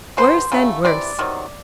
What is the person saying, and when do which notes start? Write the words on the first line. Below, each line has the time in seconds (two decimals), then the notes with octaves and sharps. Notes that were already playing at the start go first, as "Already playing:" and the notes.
"Worse and worse."
0.17 B2 G#3 B3 C5
0.52 C#3 F#3 A3
0.85 C3 E3 D5
1.19 C3 D#3 F#3